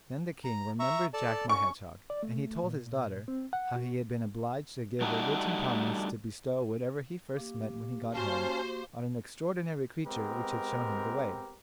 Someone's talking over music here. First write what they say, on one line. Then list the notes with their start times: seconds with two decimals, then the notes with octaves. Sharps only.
Then the King remembered Jack my Hedgehog, and he told his daughter how he had been obliged to give a written promise to bestow whatever he first met when he got home on an extraordinary creature which had shown him the way.
0.44 A#5
0.79 E5 A#5 C#6
1.14 A4 D5 A5
1.49 C#4 C#6
2.10 D5
2.23 A3
2.63 A#2
3.28 C4
3.53 F#5
3.76 F#4
5.01 G3 A3 D4 D#4 F#4
7.37 A#3 G4
8.14 C#4 F#4 C5 F5 A5
10.05 G#3 B3 C4 G4 A#4